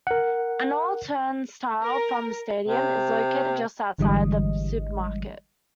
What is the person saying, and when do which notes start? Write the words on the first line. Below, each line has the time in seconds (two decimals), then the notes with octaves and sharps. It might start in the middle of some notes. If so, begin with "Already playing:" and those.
An old turnstile from the stadium is located just outside the supermarket.
0.07 A#4 F#5
1.85 A#4
2.69 C3
3.98 G#1 D3 E3 G3 G#3 D#5